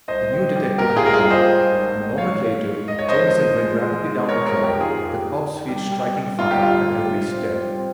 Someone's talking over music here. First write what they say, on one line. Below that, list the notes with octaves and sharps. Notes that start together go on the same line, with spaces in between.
The new detective had gone, and a moment later Jamieson went rapidly down the drive, the cob's feet striking fire at every step.
C2 C5 D#5
G3
G3
A#2 G4 A#4
G4
F4 G#4
C2 A#4
F4 G#4
G3
C5 D#5
G3
G#1
G#1
G#2 C#5 F5
G#2
G#2
G#1 D#5
C#5
G#1 C5 D#5
F3
G#3
G#3
G#3
G#3 A#4 C#5
A#4 C#5
F2
G4 A#4
D#3
F4 G#4
F2 G4
D#3
D#3
G3
G3
G3
G1 F4
G4
G1 F4
G3
C3
C4
G3
C4